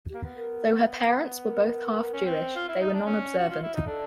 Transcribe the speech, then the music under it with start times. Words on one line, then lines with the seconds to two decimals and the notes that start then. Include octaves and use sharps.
Though her parents were both half-Jewish, they were non-observant.
0.10 G4
0.14 A#3
0.23 B3
0.36 A#4
1.44 A#4
2.13 C#4
2.25 C4
2.56 F4
2.68 E4
2.81 D#4
2.94 D4
3.06 C#4
3.38 F#4
3.50 F4
3.63 E4
3.75 D#4
3.86 D4 A4